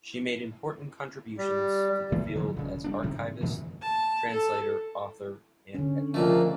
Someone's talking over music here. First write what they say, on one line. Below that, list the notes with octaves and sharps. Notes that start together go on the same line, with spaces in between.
She made important contributions to the field as archivist, translator, author and editor.
G3
E3 A3 A#3
D3 F#3
D#1 C#3
G3 A#3 D4
G#2 C3 D#3 C4
A#2 D#3 E3 A3
A5
A4
D3 C#4
C#2 A#2 F3 A3 A#3